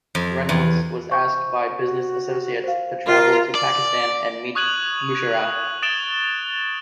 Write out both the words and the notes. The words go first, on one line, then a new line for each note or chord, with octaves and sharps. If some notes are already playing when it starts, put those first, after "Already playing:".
Reynolds was asked by business associates to travel to Pakistan and meet Musharraf.
F2
E2
C5 C#6 G6
F#4
C5 F5
F4 A#4
D5
C#6 D#6 F#6 G#6 D#7 F#7
D#6 A6 D7 E7 F7 G7